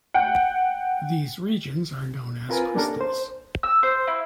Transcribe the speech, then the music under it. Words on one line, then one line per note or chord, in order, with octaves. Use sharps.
These regions are known as crystals.
F#5 G5
C4 F4 A#4 B4 G#5
A#3 C#4 D4 G4 A4 A#4
C5
E6
C5
E4